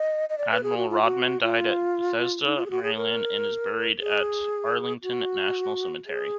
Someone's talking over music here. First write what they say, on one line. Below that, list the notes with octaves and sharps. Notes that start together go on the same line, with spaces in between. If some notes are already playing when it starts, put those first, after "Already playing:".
Admiral Rodman died at Bethesda, Maryland and is buried at Arlington National Cemetery.
Already playing: D#5
D#5
D5
B4
G#4
F#4
F4
F#4
F4
D#4
F4
G#4
F#4
G#4
A#4
G#4
F#4
G#4